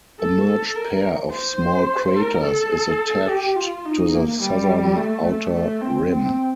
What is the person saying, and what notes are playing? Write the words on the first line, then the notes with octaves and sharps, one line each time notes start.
A merged pair of small craters is attached to the southern outer rim.
A4
A4
A#4
C5
A#4
A4
G4
F4
D#4
A#3
G3
A3
A3
A3
C4
C4